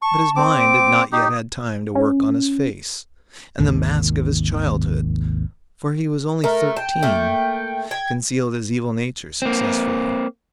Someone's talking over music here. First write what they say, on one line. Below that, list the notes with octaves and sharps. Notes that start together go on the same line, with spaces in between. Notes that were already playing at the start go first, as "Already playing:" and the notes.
But his mind had not yet had time to work on his face, and the mask of his childhood--for he was only thirteen--concealed his evil nature successfully.
A5 C#6
C4 D6
D7
D#4 G4 D#6
C#4
G#1 D#2 C3 D#3
A3 A#4
G5 A5
A3 A#3
G5 G#6
A#3 C4